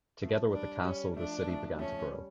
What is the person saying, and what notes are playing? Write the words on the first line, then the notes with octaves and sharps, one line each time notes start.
Together with the castle the city began to grow.
F3 A3
G3 D4
G3 C#4
F3 A3 D4
F3 A3
G3
F3 A3 C#4
G3